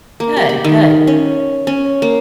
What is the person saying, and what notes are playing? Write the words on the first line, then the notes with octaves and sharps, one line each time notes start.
Good, good.
A#3
G4
B5
D#3
C#4
C#4
A#3